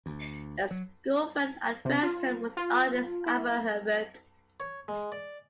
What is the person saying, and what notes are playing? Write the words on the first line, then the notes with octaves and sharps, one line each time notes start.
A schoolfriend at West Ham was artist Albert Herbert.
D2
F#3
C3
F4
F4
E4
C#5
G#3
D5